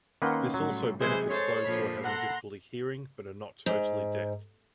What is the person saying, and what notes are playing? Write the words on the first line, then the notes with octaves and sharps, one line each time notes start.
This also benefits those who are having difficulty hearing, but are not totally deaf.
D#3 A#3 C#4 B4 F#5 C6
A2 F#3 G3
C3 E3 F#3 G#3 E4 G#4 B4 C5
A4 C5 C#5 A6
A#2 D3 F3 B5 B6 C7
A4 F#5 A#5 C6
G#2